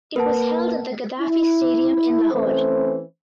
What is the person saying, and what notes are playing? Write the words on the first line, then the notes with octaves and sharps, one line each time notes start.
It was held at the Gaddafi Stadium in Lahore.
A#3 A#4 B4 F#5 A5
E4
E3 A3 C4 C#4 B4 C5